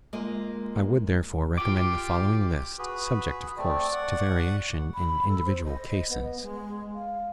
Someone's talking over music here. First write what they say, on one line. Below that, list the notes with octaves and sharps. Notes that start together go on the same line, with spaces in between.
I would, therefore, recommend the following list, subject, of course, to variation in individual cases.
G#3 A#3 F4 A#4 D#5
F4 G4 D6
F#4 G#4 B4
A3 C4 D5
F#5 C#6
B5
A4
C5
D#5
B3
G#3
F5